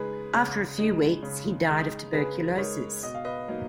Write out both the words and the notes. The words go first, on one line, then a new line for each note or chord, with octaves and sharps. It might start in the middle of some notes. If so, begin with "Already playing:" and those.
After a few weeks, he died of tuberculosis.
Already playing: C#3 G#3 D#4 G#4 B4
C#3
G#3 D#4
C#3
G#3 D#4
C#3 G#4 B4
G#3 D#4 A#4 C#5
B2 D#5
F5
B4 D#5
F#3 A#3 D#4